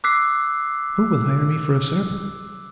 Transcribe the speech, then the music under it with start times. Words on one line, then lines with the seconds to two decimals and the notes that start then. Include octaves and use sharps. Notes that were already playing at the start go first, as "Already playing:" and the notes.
Who will hire me for a servant?'
0.04 D6 E6 F#6 B6 C7